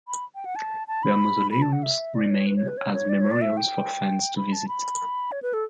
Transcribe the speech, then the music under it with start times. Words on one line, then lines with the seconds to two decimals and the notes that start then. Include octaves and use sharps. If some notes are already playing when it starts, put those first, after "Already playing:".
Their mausoleums remain as memorials for fans to visit.
0.08 B5
0.35 G5
0.45 F#5
0.56 A5
0.88 A5
1.03 B5
1.51 B5
1.62 A5
1.73 F#5
1.83 E5
2.15 D5
2.31 C#5
2.47 B4
2.56 C#5
2.68 B4
2.78 C#5
2.94 C#5
3.09 D5
3.21 C#5
3.31 D5
3.41 E5
3.57 G5
4.37 B5
4.53 A5
4.68 B5
5.32 C#5
5.42 B4
5.53 A4